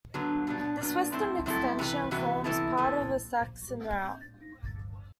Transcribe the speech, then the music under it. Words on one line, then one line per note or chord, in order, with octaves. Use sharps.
This western extension forms part of a Saxon route.
D3 F#3 B3
B2 F#3 B3 D4
B2 F#3 B3 D4
A2 F#3 C4 E4 A4
A2 F#3 C4 E4 A4
C3 E3 B3 F#4 B4
C3 E3 B3 F#4 B4
C3 E3 B3 E4 A4
C3 E3 B3 E4 A4